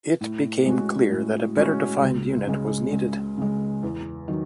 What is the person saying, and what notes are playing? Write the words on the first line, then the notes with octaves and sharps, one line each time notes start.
It became clear that a better-defined unit was needed.
A2
G#3 C#4 F#4
A2
G#3 C#4 F#4
C#2
C#3 G#3
C#2
C#3 G#3
E2
D#3 F#3